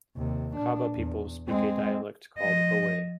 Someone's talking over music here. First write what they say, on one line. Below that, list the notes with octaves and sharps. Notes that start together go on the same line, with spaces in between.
Kabba people speak a dialect called Owe.
D#2 C3
A#2 D4
E2
G#3 C4
F3 D#5